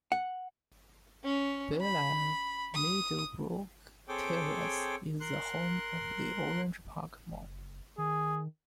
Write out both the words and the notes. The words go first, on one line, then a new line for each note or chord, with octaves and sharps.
Bellair-Meadowbrook Terrace is the home of the Orange Park Mall.
F#5
C#4
B5
D#6
C4 G#4 A4 C#5 G5 D6
A#4 C6 F#6
F#1
D#3 G#4